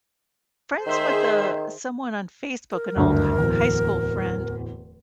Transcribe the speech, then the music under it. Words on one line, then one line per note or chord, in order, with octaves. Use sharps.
friends with, uh, someone on Facebook, an old h high school friend
D#3 G#4 C5 E5
A#4
F#1 D2 G2
D1 E2